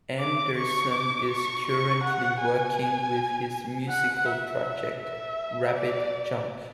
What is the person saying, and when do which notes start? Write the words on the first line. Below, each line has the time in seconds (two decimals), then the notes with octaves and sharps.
Anderson is currently working with his musical project Rabbit Junk.
0.19 D6
0.56 C#6
0.93 D6
1.30 C#6
1.67 C#6
2.04 F#5
2.41 G#5
3.89 F#5
4.25 E5
4.99 E5
5.73 D5